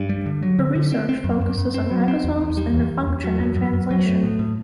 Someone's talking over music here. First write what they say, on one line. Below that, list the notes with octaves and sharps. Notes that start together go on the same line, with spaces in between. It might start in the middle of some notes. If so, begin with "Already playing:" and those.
Her research focuses on ribosomes and their function in translation.
Already playing: G2
G3
D3
F#3
D3
D3
C4
C4
F#2
F#2
F#2
C4
F#3
C4
E2
E2
G3
E2
E2
E2
F#3
F#2
F#2
F#2
F#3
A3
A2
A2